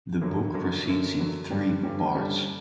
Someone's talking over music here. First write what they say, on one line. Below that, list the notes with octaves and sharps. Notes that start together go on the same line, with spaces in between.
The book proceeds in three parts.
F#2 D3 F#3
F#2 D3 F#3
F#2 D3 F#3
F#2 D3 F#3
G2 D3 G3 C#4
G2 D3 G3 C#4
G2 D3 G3 C#4